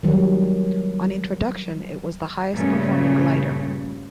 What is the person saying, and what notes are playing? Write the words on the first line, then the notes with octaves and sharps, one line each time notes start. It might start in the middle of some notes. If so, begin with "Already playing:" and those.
On introduction it was the highest performing glider.
D#3 F#3 G3
G2 A#2 C#3 A3